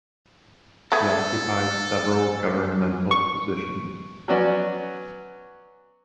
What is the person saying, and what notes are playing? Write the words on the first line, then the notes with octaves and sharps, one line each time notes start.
He occupied several governmental positions.
A3 B3 G#4 A4
C#6
F#3 B3 C#4 F#4 D5